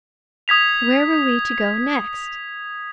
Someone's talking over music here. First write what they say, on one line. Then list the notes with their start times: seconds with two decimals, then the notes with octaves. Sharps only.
Where were we to go next?
0.48 D#6 G#6 B6 F7